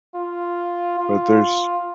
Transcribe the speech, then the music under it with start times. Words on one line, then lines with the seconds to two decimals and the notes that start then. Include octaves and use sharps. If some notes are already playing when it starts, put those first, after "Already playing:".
But there's
0.15 F4
0.98 F4